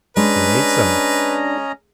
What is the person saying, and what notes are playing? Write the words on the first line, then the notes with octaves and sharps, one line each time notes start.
He needs them.
G#3 C#4 D4 B4 D#5 A#5